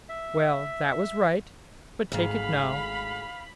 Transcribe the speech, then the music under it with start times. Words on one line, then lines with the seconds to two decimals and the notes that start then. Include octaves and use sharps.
Well, that was right, but take it now.
0.09 E5
2.12 G#1 D2 G#2 F5 B5